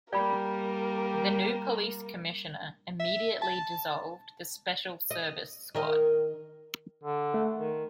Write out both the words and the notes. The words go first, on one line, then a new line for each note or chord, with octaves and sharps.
The new police commissioner immediately dissolved the Special Service Squad.
G3 A#3 G4 A#4 D5 B5
E5
A5
D#5
D#3 A#4 D#5
D3
A3 F#5
D#3